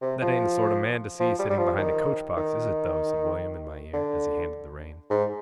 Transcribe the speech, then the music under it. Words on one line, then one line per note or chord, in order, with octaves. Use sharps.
'That ain't a sort of man to see sitting behind a coach-box, is it though?' said William in my ear, as he handled the reins.
C3
F3
F3
G3
G3
F3
D#3
D#3
D3
G#2